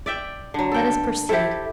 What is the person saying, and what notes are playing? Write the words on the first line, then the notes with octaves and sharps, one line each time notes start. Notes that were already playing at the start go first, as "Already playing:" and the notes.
Let us proceed.
D5 E5 G5
D3 F#3
A4 G5
E4 G4 A4 C5 E5